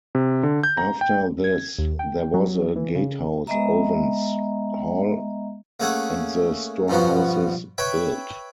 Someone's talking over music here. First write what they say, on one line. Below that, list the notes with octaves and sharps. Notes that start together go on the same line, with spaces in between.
After this there was a gatehouse, ovens, hall and the storehouses built.
C3
D3
G6
A#5
G5
G#6
D#2
G5
F#3
E3
C#3
G#3 B3 D#5 E5 A#5
A3 A#3 C#4 G#4 A4 F#5
G2 B2 F3 B3 F#4
B4 C#5 E5 G5 B5